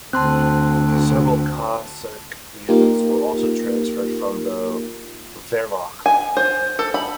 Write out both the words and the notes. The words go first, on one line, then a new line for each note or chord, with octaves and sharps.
Several Cossack units were also transferred from the Wehrmacht.
D2 C4 A5 C6 F#6
A#3 D#4 F4 G4 A#4
G#5
C5
A4
B5